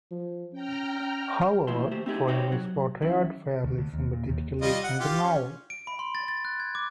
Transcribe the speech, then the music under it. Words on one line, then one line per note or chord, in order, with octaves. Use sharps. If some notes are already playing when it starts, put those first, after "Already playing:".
However, Frame is portrayed fairly sympathetically in the novel.
F3
C#4 G5 A#5 F6
D#2 A2 F3 E4 C6
D#2 A3 G4 C5
C4 D#4 E4 G4 G#4
C4 D#4 F#4 G4 C5 C#5
F#3 F#4
D#3 F#3 C#4 E4
D2
D2
D#2
A#2
D#2
G3 F4 D#5
F#5
F4 G4
C#4
D7
B5
C6
A6
A6
F#6
G#6
D6